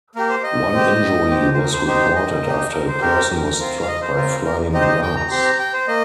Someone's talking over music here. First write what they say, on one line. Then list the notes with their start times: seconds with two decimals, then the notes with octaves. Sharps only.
One injury was reported after a person was struck by flying glass.
0.15 A#3 G4 A#4
0.29 C5
0.43 D#5
0.72 C4 G4
1.30 C4 G4
1.54 C5
1.58 A#4
1.73 C5
1.87 C4 D#4 G4 C5
2.15 D#5
2.44 A#3 D#4 G4
2.73 A#4
2.87 C5
3.01 C4 G4 A#4
3.30 A#4
3.59 C4 F4
3.82 F5
3.87 D#5
4.02 C5
4.16 C4 F4 A#4
4.45 A#4
4.73 C4 D#4 G4 D#5
4.82 C5
4.87 D#5
5.02 G5
5.16 A#5
5.30 C4 G4 C6
5.45 A#5
5.59 G5
5.73 C5
5.88 A#3 D#5